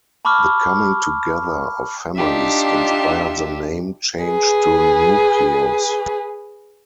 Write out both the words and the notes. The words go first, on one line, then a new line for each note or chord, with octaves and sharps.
The coming together of families inspired the name change to Newcleus.
A5 B5 C#6 D6 F6
D4 D#4 F4 G4 E5
G#4 B4